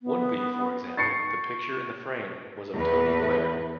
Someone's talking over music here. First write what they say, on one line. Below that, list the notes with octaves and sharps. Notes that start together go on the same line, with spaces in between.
One week, for example, the picture in the frame was of Tony Blair.
B3
C#6 A6 C7 C#7
E2 B4